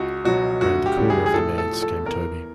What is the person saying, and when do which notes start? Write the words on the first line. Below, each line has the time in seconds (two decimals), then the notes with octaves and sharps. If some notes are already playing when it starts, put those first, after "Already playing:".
Round the corner of the manse came Toby.
Already playing: C#2 F#4
0.25 B2 F#3 F#4
0.61 D2 F#4
0.86 G4
0.97 C#3 E3 G3
1.10 G#4
1.26 G#4
1.34 A2 A4
1.58 A4
1.70 F3
1.82 A4
2.06 E2 A#4